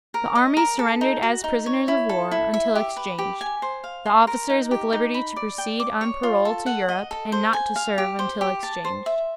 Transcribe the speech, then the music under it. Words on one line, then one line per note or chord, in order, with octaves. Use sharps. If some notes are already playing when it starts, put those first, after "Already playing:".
The army surrendered as prisoners of war until exchanged, the officers with liberty to proceed on parole to Europe and not to serve until exchanged.
A#4
D#5
A#4
A4
D#4
F#4
D#4
C#5
E4
A4
E4
E5
G4
B4
G4
G#5
C5
F5
C6
A#4
D#4
G4
D#4
B5
D5
G5
D6
C#5
F4
A4
F#5
D#5
A4
C5
G#5
F5
G4
C5
G4
A5
C5
E5